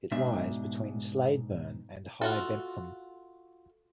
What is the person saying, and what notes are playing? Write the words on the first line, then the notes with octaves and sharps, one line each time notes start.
It lies between Slaidburn and High Bentham.
G#2 B2 D4 E5
F4 F#4 A4